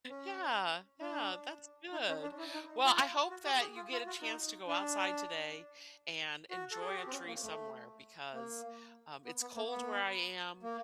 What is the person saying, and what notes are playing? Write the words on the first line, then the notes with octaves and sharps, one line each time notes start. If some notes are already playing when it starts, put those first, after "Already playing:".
Yeah, yeah, that's good. Well, I hope that you get a chance to go outside today and enjoy a tree somewhere because, um, it's cold where I am,
C#4
D4
D#4
C#4
D4
E4
D#4
F4
F#4
G4
G#4
F4
F4
F#4
D#4
D4
F#4
A4
G#4
G4
F#4
C4
C#4
A#3
A3
A#3
B3
B3
A#3
B3
A#3